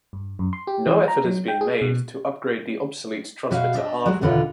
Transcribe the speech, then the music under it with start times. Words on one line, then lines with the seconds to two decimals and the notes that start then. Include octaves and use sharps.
No effort has been made to upgrade the obsolete transmitter hardware.
0.13 G2
0.39 F#2
0.53 C6
0.67 G4
0.87 E3
1.08 A#5
1.25 F#3
1.48 G5
1.61 G#4
1.81 B2
3.51 B2 F#4 E5 F5
3.75 D4 D#5 E5
4.06 F#3 G#3 F#4
4.21 E2 B2 D3 D#3 F4 B4